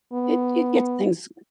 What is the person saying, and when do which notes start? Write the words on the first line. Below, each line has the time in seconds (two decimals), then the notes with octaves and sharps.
it it gets things
0.13 B3